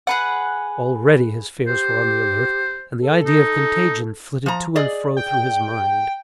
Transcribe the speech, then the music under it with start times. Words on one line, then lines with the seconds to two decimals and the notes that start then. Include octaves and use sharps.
Already his fears were on the alert; and the idea of contagion flitted to and fro through his mind.
0.07 G#4 B4 F#5
1.67 G4 C5
3.01 A4
3.26 D#4
4.46 F3 A#5
4.76 G#4 D5 D#5
5.17 G5